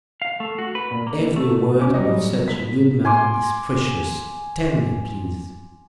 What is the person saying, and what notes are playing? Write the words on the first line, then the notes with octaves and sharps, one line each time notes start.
"Every word of such a good man is precious: tell me, please."
F5
A3
F#4
B4
A#2
A#3
D2
A3
C#4 D6
F#3 G3 D#5
B6
G#5 C6 D6